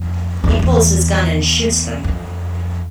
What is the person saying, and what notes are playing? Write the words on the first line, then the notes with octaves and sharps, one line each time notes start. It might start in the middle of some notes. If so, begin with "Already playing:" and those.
He pulls his gun and shoots them.
Already playing: F2
E2
E2
F2